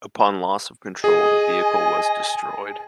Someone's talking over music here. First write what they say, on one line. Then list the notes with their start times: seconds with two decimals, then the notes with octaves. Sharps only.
Upon loss of control, the vehicle was destroyed.
1.04 G#4 D#5 G#5